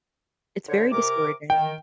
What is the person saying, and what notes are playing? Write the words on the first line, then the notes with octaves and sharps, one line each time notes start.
It's very discouraging.
D3 C5 C#5
C3 A#4 D6
D#3 G5